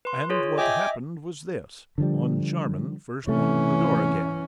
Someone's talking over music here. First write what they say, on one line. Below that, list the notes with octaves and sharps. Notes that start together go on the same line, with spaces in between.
And what happened was this: Moncharmin first locked the door again.
B4 C6
F4 G#4 C#5
D#5 E5 G5 G#5 D6
D3 F3 G3
C3 E3 A3 C#4